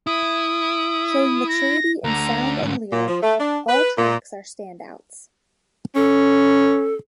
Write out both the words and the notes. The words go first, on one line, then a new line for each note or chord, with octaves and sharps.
Showing maturity in sound and lyric, all tracks are standouts.
E4 D#6
A#6
D2 D3 A#5
D2 G#2
A#2
F3
A3
D4
B4
A#2
C#4 A4